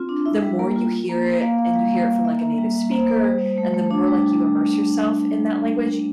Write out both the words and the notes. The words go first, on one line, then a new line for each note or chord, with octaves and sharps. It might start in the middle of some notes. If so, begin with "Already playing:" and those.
the more you hear it and you hear it from like a native speaker, and the more, like, you immerse yourself in that language, y
Already playing: C4 F4
D4
E4 E5
G3
A#3 A#4
F4
F4
A#3
A#3
A#3 F5
A#3 F5
G3
A#3
A#3
A#3 E5
A#3 E5
G3
G3
A#3 C5
A#3
G3
G3
A3
A3
D4
G3